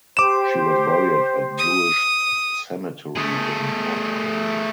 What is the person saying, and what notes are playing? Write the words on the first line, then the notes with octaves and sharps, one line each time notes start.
She was buried at Jewish cemetery in Mannheim.
G4 C5 D6 E7
D#6
A3 G#4